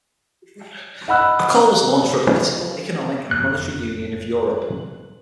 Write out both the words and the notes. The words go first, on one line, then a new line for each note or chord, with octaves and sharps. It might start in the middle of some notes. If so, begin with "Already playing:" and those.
A call was launched for a political, economic and monetary Union of Europe.
D#5 F#5 B5 E6 F#6
F#1 F2 F#6